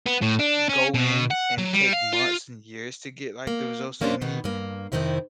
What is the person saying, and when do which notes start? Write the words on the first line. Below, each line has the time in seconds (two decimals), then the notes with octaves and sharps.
go in and take months and years to get, like, the results they need.
0.06 B3
0.22 A2
0.39 D4
0.69 C#4
0.94 B2
1.31 F#5
1.58 F#3
1.73 G3
1.93 F5
2.13 F4
3.47 A#3
4.01 F#2 A#3 C#4 D4 E4 C5
4.21 B2 D#3 B3
4.44 G2 A#3
4.92 F2 G#2 C3 D#3 C4 E4